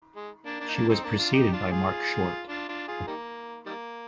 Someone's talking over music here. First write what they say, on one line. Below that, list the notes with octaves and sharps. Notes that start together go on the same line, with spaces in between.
She was preceded by Marc Short.
G#3
A#3 D4
A#3 D4
D#4
A#3 D4
C4 D#4
A#3 D4
D4 F4
D#4 G4
D4 F4
F4 G#4
D4 F4
D4 F4
F4 G#4
D#3 G3 A#3
D#3 G3 A#3